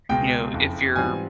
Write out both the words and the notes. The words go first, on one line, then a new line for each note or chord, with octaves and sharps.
you know, if you're,
C#2 B2 G#3 G5
F#1 F2 C#3
G#2 E3 G3 C4 F4 G#5